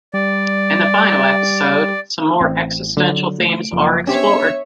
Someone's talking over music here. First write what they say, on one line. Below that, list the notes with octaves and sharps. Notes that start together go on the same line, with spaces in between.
In the final episode, some more existential themes are explored.
G3 D5
A1 C4
D3 F#3
A3 D7
F#1 F3
B3 C#4 D4 G4 C5 C#5 E5